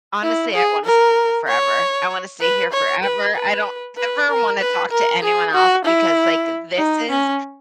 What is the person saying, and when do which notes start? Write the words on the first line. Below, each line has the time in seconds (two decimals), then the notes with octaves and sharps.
Honestly, I wanna stay here forever, I wanna stay here forever, I don't ever wanna talk to anyone else because, like, this is
0.23 E4
0.54 G#4
0.85 A#4
1.48 C#5
2.41 B4
2.73 C#5
3.04 B4
3.35 B4
3.97 B4
4.29 A#4
4.60 B4
4.91 A#4
5.23 G#4
5.54 F#4
5.85 E4
6.78 D#4
7.10 C#4